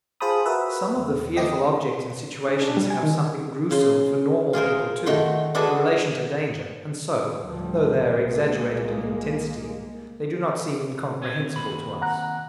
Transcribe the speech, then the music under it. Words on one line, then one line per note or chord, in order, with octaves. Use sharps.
Some of the fearful objects and situations have something gruesome for normal people too, a relation to danger, and so, though they are exaggerated in intensity, they do not seem incomprehensible to us.
F4 G#4 C5 A5 B5 D#6
F#4 A#4 B4 E5
E2
A3 C4 E4 G4 D#5
C#4
D4
G3
G#5
D#3
C#3 C6
F4 G#4 A#4 C5
D#3 A3 F#4 C6
D4 F#4 G#4 A4 B4 E5
D2 A2 F3 G3
C2 G#3 A#3
C4 C#5
D#2 C3 B5
F#5 A#5 F#6